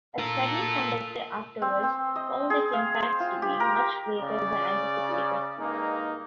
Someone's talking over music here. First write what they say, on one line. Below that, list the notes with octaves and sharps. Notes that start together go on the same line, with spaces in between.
A study conducted afterwards found its impacts to be much greater than anticipated.
F4 A4 A#4
C4
C4
D#5
G#4
F5
C5
F4
G4
A#4
C#3 D5
G2 G#3 A#3 D#4